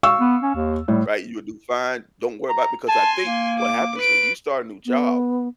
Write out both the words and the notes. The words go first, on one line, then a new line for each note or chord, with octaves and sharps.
Right, you will do fine, don't worry about, because I think what happens when you start a new job,
F5 C#6 E6
B3
C#4
D#2
A2 G3
A#5
G#5 A5 C6
A#3
D6
B4 D7
B3